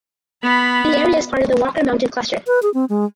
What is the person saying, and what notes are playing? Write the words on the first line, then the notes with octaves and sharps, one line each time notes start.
The area is part of the Walker Mountain Cluster.
B3 B5
B4
G#4
C4
G#3